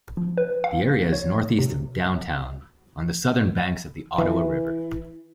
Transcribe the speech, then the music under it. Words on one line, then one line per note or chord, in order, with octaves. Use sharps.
The area is northeast of downtown, on the southern banks of the Ottawa River.
F3
B4
F5
C#5
C3
E3